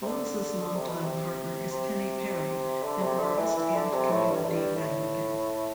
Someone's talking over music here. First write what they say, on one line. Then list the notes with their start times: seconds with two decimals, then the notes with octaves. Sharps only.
Louis' long-time partner is Penny Parry, an artist and community advocate.
0.02 C3
0.06 D3
0.62 D3
0.75 C3
0.89 B2
1.02 C3
1.72 C3
2.83 D3
3.01 C3
3.19 D3
3.38 E3
3.56 E3
3.75 D3
3.93 C3
4.11 A2
4.29 G2
4.44 A2
4.48 G2
4.76 A2